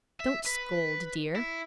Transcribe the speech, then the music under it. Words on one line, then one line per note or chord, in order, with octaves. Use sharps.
'Don't scold, dear.
E5
B4
E4